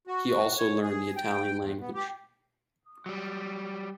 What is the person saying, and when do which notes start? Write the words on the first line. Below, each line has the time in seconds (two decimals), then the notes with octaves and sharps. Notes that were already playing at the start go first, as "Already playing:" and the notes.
He also learned the Italian language.
0.07 F#4
0.58 C#5
0.83 G#4
1.17 G5
1.58 E2
1.80 B3
1.94 G4
3.06 F#3 G3